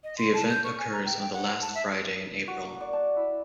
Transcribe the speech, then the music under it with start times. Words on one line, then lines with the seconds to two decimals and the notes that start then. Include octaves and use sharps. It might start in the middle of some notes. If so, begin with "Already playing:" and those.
The event occurs on the last Friday in April.
0.04 D#5
0.18 C6
0.34 A5
0.50 G6
0.64 C#6
0.79 G#5
0.92 A#5
1.05 G5
1.21 G5
1.33 F#5
1.62 A5
1.75 E5
2.48 F#4
2.64 A#3
2.81 D5
2.93 A5
3.16 E4